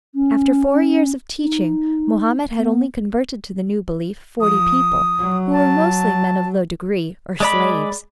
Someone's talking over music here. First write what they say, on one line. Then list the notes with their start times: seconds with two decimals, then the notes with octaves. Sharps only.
After four years of teaching Mohammed had only converted to the new belief forty people, who were mostly men of low degree or slaves.
0.15 C#4
1.40 D#4
2.57 B3
4.41 F3 D#6
5.19 F#3
5.52 A5
7.40 G#3 D5 B5